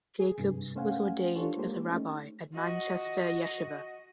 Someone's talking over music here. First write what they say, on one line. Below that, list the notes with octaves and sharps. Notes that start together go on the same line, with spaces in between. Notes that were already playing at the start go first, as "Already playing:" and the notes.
Jacobs was ordained as a rabbi at Manchester Yeshivah.
G#4
G2 C3
A3 C#4 C5 F5 F#5 G#5
D4 F4 G4 A4 C5 C#5
G#3 A#3 G4 C5
A3 C#4 D#4
F#4 D#5